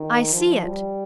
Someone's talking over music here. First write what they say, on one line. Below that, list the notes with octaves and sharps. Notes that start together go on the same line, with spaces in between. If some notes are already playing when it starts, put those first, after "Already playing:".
I see it!
Already playing: D#3
F3
G3